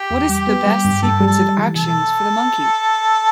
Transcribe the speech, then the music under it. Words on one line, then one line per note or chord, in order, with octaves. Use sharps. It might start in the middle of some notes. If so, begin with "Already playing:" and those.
What is the best sequence of actions for the monkey?
Already playing: G4
E2
G3 G4
B3
G3
G2
G2 A4
G3
A4
G3
E3
B2 A4